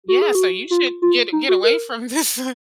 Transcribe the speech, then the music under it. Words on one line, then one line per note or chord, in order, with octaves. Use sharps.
Yeah, so you should get get away from this
F#4
G#4
F#4
F4
F4
D#4
F#4
A#4